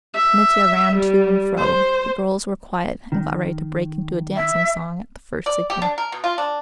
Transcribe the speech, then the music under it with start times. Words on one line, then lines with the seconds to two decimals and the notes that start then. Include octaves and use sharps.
Mitya ran to and fro, the girls were quiet, and got ready to break into a dancing song at the first signal.
0.14 E5
0.97 G3
1.57 C5
3.12 D#3
4.36 E5
5.46 D5
5.70 G4
5.82 D4
5.98 A#4
6.12 B2
6.24 F4
6.38 D4